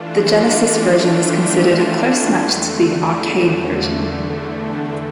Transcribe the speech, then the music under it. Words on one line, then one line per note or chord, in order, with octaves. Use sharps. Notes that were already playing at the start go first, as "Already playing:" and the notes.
The Genesis version is considered a close match to the arcade version.
Already playing: E3 A3 D4 F4
D5 F5
E5 G5
E2 D3 A3
F5 A5
E5 G5
D5 F5
E5 G5
E5 G5